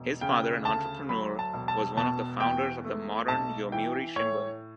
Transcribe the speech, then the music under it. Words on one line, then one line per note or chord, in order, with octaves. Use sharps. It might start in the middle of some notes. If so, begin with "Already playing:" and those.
His father, an entrepreneur, was one of the founders of the modern Yomiuri Shimbun.
Already playing: E1
C#3 G5
D2 A5
F#3 B5
A5
E1
A5
B2 A5
E2 G5
A3
B1 A5
E3 G5
A2 C#5